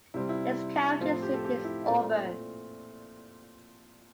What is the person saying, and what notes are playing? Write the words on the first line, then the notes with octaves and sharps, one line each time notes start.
Its county seat is Auburn.
C3 G3 C4 E4
E4
A2 F3 C4 F4
G4
A4
G4
E4
A#2 A3 C4 D5